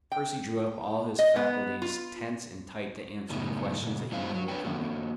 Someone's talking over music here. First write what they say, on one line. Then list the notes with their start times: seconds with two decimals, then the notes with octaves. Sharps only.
Percy drew up all his faculties tense and tight to answer the questions that he knew were coming.
0.12 G5
1.19 D#5
1.36 B3
1.82 F4
3.30 F#2 A2 C#3 B3 D#4
3.82 A#2 C#3
4.12 G3 G#3 B3 E4 C5 F5
4.34 F#3
4.48 D4 B4 C#5 G5
4.65 D#3 F3 A#3 F#4